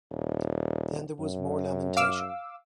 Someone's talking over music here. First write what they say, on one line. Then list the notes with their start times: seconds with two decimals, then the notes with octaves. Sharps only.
Then there was more lamentation.
0.11 D#1
1.19 F#2
1.97 F5 D6 E6